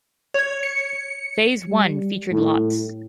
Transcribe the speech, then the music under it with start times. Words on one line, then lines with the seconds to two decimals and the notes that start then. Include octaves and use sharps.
Phase one featured lots.
0.34 C#5 G#6
0.63 C#7
1.68 G3
2.31 A2